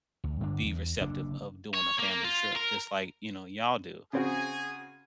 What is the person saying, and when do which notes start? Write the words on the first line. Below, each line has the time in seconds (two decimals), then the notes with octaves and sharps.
be receptive of doing a family trip just like, you know, y'all do.
0.24 D2
0.41 G2 D3 D4
0.64 E2
1.01 F#1 D3 D4
1.74 C#5
1.99 A#3
2.25 F4
2.55 A#4
4.13 C#3 C4 F#4 G#4 G#5